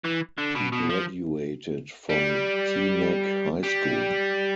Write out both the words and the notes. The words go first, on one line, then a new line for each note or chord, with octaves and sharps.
He graduated from Teaneck High School.
E3
D3
B2
B2
F3
G3
G3